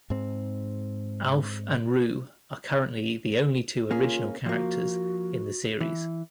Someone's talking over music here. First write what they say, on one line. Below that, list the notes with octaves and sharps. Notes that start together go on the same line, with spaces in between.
Alf and Roo are currently the only two original characters in the series.
G#2 C4
A#3 C#4 F4 G#4
F3 A#3 F#4
E3